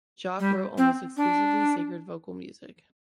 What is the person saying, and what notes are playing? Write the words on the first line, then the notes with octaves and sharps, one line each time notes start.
Jacquet wrote almost exclusively sacred vocal music.
G3
C4
D4